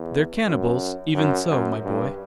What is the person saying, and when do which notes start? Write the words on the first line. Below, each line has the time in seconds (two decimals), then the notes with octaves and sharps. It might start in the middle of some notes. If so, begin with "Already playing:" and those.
"They're cannibals even so, my boy."
Already playing: E2
0.47 F#2
1.15 F#2
1.49 F#2
1.84 G2